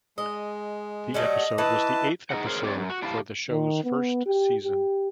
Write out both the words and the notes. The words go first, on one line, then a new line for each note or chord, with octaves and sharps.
The episode was the eighth episode for the show's first season.
G#3 D#5
F#3 G3 A3 D#5
E3 B4 A5
D#4 G#4 D#5 F#5
G#4 A#4 C5 C#5
C4 G4 A4 C#5 D5
F#2
F#4
D4 E4 G4 F5 A5
D#3
B3
G4
G4